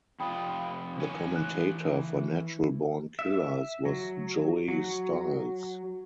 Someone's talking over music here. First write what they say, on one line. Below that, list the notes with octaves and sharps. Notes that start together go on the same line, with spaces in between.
The commentator for Natural Born Killaz was Joey Styles.
F2 C3 F4 G5 B5 D#6
E3 C#5 G#5
F#6
E5
F#3
F#3